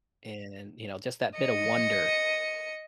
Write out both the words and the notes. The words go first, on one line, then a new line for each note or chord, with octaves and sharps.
and, you know, just that bit of wonder
D#5 C#7